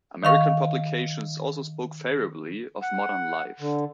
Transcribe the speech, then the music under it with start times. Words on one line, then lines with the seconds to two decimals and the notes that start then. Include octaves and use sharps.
American publications also spoke favourably of "Modern Life".
0.23 D#3 F5 C#6
2.82 F#5
3.60 D3